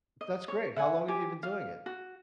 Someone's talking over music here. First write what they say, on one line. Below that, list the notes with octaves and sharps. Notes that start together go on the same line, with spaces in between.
That's great, how long have you been doing it?
D#5
C#5
E5 F#5 G#5
G4 G#5
F5
F#4